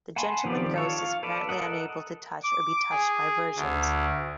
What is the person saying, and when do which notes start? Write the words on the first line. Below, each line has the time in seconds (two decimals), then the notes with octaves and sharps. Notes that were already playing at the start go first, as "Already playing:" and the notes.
The Gentleman Ghost is apparently unable to touch or be touched by virgins.
0.16 F#5 G#5 A5 B5 C6
0.45 D#3 F3 C4 G4 D5
0.74 F4 A4 C#5
0.99 F5
1.23 A4 B4 D5
1.49 A4 A#4 D#5 F#5
2.43 D6
2.91 G#4
3.56 D2